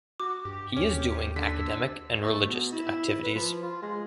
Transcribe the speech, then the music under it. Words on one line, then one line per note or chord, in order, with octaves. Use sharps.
He is doing academic and religious activities.
F#4 D6
G2 G4
D#2 C#4
D3 E6 B6
A3
B2
E4
B4
F3
F4
G#3